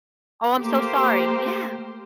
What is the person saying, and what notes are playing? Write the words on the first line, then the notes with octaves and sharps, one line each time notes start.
Oh, I'm so sorry. Yeah.
A3 A#3 G4 C5